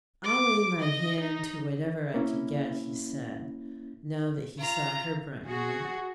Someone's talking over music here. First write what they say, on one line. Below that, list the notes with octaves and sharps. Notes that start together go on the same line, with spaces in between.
"I'll lay my hand to whatever I can get," he said, now that he saw her brighten up.
D6
D#5
D#4
A#3 C#4 E4
F4 A#5
F#4 G#4